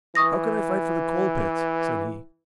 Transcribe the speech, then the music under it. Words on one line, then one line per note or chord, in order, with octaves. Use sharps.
"How can I fight for the coal-pits?" said he.
E3 C#6 D#6 A#6